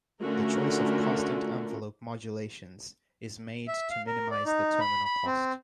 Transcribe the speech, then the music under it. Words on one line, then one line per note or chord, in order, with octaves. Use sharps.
The choice of constant envelope modulations is made to minimize the terminal cost.
D3 A3 C#4 F4 F#4 A#4
E5
F5
A#4
D5
D#4
B5
B5
C4